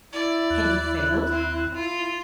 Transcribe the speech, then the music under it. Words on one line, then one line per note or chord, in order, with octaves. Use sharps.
Had he failed?
E4 D5
D#2 F#6
C4
F4